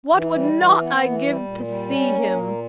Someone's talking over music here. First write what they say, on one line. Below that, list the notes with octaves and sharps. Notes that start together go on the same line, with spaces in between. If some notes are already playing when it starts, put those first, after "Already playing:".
What would not I give to see him!
E3
G3
E3
B3
E3
G3
A#2
G3
C#4
A#3
A#2